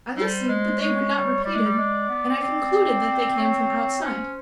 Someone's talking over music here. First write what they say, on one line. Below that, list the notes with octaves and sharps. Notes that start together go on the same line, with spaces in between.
I listened, but they were not repeated, and I concluded that they came from outside.
G3 C5
G#3
G#3 C#5
G3
G3 D5
G#3
G3
G#3
B3
C4
C#5
C#4 C5